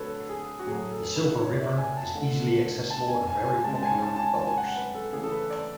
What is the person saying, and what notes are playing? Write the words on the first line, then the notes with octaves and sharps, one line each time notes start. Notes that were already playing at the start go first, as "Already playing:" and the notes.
The Silver River is easily accessible and very popular with boaters.
Already playing: D3 F#3 A3 A4 B4 C#5
G#4
F#4
A2 F#3 A3 G#4
A4
B4
C#5
D5
E5
G#5
A5
D3 A3
A5
G#5
G#5
G#5
C#3 G#3 A5
A5
G#5
A5
A5
G#5
A5
G#5
F#5
B4
A4
C#3 E3 A3 G#4
A4
B4
D5